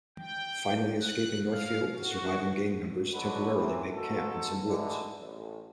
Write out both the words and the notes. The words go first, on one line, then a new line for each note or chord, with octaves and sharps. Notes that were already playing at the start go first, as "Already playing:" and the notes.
Finally escaping Northfield, the surviving gang members temporarily make camp in some woods.
G5
F#6
F5
F#4
B2 D3 F#3 F#4 B4
C3 E3
G#2 F#4 A4
D3 E3 G#3 A3
A1